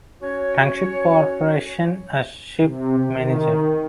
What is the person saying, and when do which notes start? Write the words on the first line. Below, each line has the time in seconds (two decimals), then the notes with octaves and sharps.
Tank Ship Corporation as ship manager.
0.22 C#4 F#4 C#5
2.60 C3
3.14 D#3